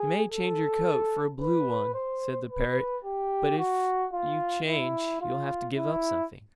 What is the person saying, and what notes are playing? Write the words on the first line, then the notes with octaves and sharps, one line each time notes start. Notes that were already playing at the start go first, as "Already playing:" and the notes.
"You may change your coat for a blue one," said the parrot, "but if you change you'll have to give up something."
Already playing: G#4
A4
B4
C5
B4
G4
F#4
F4
E4
F4
E4